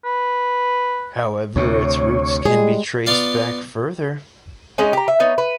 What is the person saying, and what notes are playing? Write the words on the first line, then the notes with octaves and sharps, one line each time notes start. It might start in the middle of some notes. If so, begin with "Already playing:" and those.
However, its roots can be traced back further.
B4
D2 C3 C#5
G3 G#3 G#4
B3 F4 D5 F5
G#3 C#4 D#4
G4 A#5
E5
B3 D#4 C#5
B4